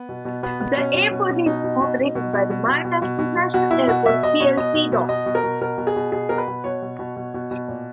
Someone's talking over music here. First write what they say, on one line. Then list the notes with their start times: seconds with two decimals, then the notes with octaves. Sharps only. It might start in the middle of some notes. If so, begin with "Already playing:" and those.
The airport is operated by Malta International Airport plc.
Already playing: B3
0.09 B2
0.25 B2
0.43 B2 B3
0.60 B2 B3
0.77 B2 C#4
0.94 B2
1.11 B2
1.29 B2
1.46 B2 D#4
1.64 B2
1.81 B2
1.98 B2
2.15 B2
2.33 B2
2.50 B2
2.67 B2
2.85 B2
3.02 B2
3.19 B2
3.36 B2
3.54 B2 F#4
3.71 B2 E4
3.88 B2 F#4
4.06 B2 E5
4.23 B2 D#5
4.40 B2 C#5
4.57 B2 D#5
4.74 B2
4.92 B2
5.09 B2 D#5
5.26 B2
5.35 A#4
5.43 B2
5.61 B2 A#4
5.78 B2
5.87 G#4
5.96 B2
6.12 B2 G#4
6.29 B2 A#4
6.38 B4
6.48 B2
6.64 B2 C#5
6.82 B2
6.99 B2
7.17 B2
7.34 B2
7.51 B2
7.68 A#2